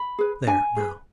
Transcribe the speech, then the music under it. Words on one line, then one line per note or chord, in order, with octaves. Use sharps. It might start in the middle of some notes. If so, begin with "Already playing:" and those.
There, now!
Already playing: B5
G#4 B4
D4 G#5
G#4 B4